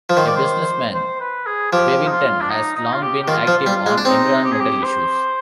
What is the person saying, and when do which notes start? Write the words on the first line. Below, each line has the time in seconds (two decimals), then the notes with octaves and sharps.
A businessman, Bevington has long been active on environmental issues.
0.10 F3
0.17 D#3 C5
0.27 D5
0.36 C5
0.95 C5
1.20 B4
1.47 G#4
1.72 F3 G4
2.06 D#4
2.11 F4
2.41 D4
2.50 D#4
2.77 D#4
2.92 F4
3.02 G4
3.23 G4
3.28 D#3 F4
3.47 F3
3.66 G3
3.86 G#3
3.98 D4
4.05 C4 D#4
4.44 G4
4.52 G#4
4.61 G4
4.84 C5